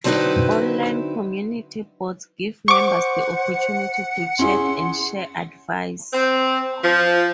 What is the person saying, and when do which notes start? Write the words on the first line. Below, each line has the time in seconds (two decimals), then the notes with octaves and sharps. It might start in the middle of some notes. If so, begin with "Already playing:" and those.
Online community boards give members the opportunity to chat and share advice.
0.04 D3 F#3 C4 D#4 E4 B4
2.68 C5 F#5 C#6 D6
4.39 C#4 E4 G#4 C6
6.13 C4
6.84 F3